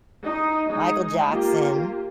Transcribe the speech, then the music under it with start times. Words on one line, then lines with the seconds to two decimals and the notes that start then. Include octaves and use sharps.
Michael Jackson,
0.24 D#4
0.68 G#3 D#4
1.28 A#3 F4 G4